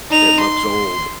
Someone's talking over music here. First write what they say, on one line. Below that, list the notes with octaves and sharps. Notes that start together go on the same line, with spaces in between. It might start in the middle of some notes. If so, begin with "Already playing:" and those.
It looks old.
D#4 F7
C6